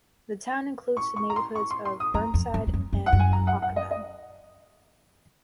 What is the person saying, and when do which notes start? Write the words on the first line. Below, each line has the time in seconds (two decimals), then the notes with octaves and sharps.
The town includes the neighborhoods of Burnside and Hockanum.
0.97 C#6
1.16 C#6
1.30 A#5
1.36 C6
1.55 C#6
1.71 C6
1.85 C6
2.00 D#6
2.14 F#2 A#5
2.34 F2
2.54 F#2
2.67 F2
2.74 F#2
2.93 F#2
3.06 F#5
3.12 F#2
3.19 G#5
3.33 A#5
3.47 F#5
3.62 F#5
3.76 D#5
3.91 D#5